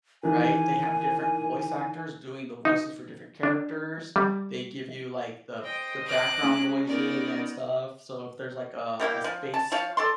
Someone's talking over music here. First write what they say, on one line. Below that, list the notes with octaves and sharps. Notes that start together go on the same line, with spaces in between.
Right, they have different voice actors doing the voices for different characters. They give you, like, the the background noises and stuff, so if there's, like, uh, a space
D#3 E3 G#5
D#4
D4
G3
C5 D#5 G5
D6 F#6
G#3 C#4
B3 D#4 A#4 D5
G3 A#3 E4 G4
F3
A5
F3 F4 C#5 F5
A4 D5 C6